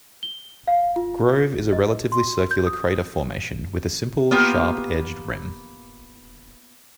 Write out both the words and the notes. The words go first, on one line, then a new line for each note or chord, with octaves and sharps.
Grove is a relatively circular crater formation with a simple, sharp-edged rim.
G7
F5
F4
D#5
C6
G6
D#6
A#3 B3 F4 G4